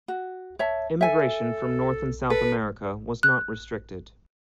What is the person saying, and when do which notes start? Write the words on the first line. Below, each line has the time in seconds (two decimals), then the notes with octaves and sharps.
Immigration from North and South America was not restricted.
0.08 F#4
0.59 C#5 E5 A5
1.01 A4 E5 G#5
2.30 A4 B4
3.23 F#6